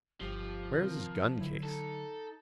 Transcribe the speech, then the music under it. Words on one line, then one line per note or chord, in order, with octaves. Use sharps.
Where is his guncase?
G1 F3 G4
C3 D#3 C4 A#4
D3 F#3 E4
D#4 A4